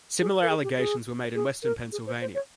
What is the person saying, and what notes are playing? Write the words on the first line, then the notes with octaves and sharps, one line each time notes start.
Similar allegations were made in Western Pennsylvania.
G#4
A#4
G#4
G4
G#4
G#4
A#4
G#4
C5
C5
C#5